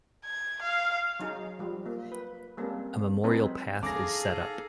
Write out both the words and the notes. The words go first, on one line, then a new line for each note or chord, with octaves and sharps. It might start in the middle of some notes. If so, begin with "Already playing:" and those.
A memorial path is set up.
G#6
F5
F#3 D#4 G#4
F3 G3
A#3
B4
G3 G#3 A#3 C4 C#4 A4
F#3 G#3 C4 D#4 A4 B4
D#4 G#4 A4 F5 A#5 D6 A#6